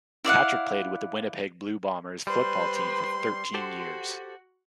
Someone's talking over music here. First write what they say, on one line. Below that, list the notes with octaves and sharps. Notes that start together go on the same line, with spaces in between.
Patrick played with the Winnipeg Blue Bombers football team for thirteen years.
E4 D5 F5 F#5
G3 B4 C5 C6
F#4 G4 A4 C5